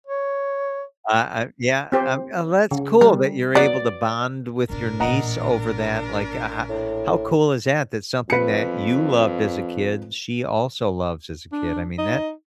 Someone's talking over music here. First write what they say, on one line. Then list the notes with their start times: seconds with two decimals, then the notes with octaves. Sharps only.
Uh I yeah, um, and that's cool that you're able to bond with your niece over that, like, ho how cool is that, that something that you loved as a kid, she also loves as a kid, I mean, that
0.07 C#5
1.92 C4 G4 C5
2.71 C#3
3.01 G3 A#4
3.55 F#3 B3 D5
4.69 G1 B2 D4 A#4
5.00 A1 A#2 D#5 F#5 A#5
6.69 A2
8.30 F2 B4 C#7
11.52 D4
11.98 D#4 D#5